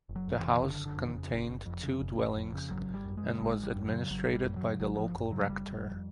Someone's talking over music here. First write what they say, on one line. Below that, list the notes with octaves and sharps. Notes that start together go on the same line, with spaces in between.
The house contained two dwellings and was administrated by the local rector.
F#1
F#3
F2
E3
C#3
F#1 D3
F#1
D3
F2
D#3
C#3
F#1
F#1
F2
C#3
F#1
F#1
F2
C#3
G#1 F#3
G#1
G3
F#2
G#3
C#3
G#1 G#3
G#1
G3
F#2
F#3
C#3
G#1 F#3
G#1
G3
F#2
F#3
C#3
G#1 F#3
G#1 F3
F#2
C#3 F#3
F#1 G3
F#1
F2